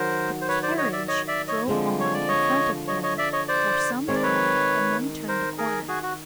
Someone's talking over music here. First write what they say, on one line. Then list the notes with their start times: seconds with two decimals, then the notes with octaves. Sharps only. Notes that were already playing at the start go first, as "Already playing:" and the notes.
The carriage drove on in front of him for some time and then turned a corner.
Already playing: D#3 F#3 A#4 C5
0.41 C5
0.48 B4 C#5
0.63 C5 D5
0.78 C#5 D#5
0.92 D5 E5
1.08 C#5 D#5
1.28 D5 E5
1.48 C#5 D#5
1.68 D3 F3 G#3 C4
2.00 C#5
2.14 D5
2.28 C#5 D#5
2.88 C#5 D#5
3.03 C#5 D#5
3.18 D5 E5
3.33 C#5 D#5
3.48 C5 D5
4.08 D#3 G#3 C4 C#5
4.15 D5
4.23 B4 C#5
5.28 A#4 C5
5.58 G#4 A#4
5.88 F#4 G#4
6.03 F#4